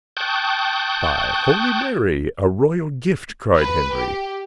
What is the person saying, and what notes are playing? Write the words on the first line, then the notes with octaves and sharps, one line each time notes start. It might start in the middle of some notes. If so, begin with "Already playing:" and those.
"By holy Mary, a royal gift!" cried Henry.
G5 A5 C#6 D#6 F#6 G6
B4
G4